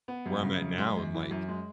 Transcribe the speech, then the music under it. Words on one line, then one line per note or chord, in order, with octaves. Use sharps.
where I'm at now and, like,
B3
F#2
C#3
F#2
G#3
F#2
E3
F#2
G#3